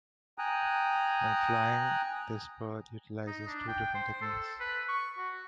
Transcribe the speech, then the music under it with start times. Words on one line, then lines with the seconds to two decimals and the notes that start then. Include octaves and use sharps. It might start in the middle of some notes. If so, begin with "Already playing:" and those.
When flying, this bird utilizes two different techniques.
0.38 G5 G#5 A#5 D#6 F#6
3.27 D#4
3.47 D4
3.68 G5
3.95 C5
4.22 A4
4.60 B4
4.88 C#6
5.18 F#4